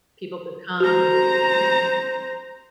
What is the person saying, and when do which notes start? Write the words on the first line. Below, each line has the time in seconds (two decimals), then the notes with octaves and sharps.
people could come, and we could
0.80 F#4 C5 A#5